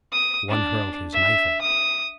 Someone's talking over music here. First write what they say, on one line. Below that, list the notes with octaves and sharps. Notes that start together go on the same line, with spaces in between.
One hurled his knife at me.
D#6
D4
E5
D#6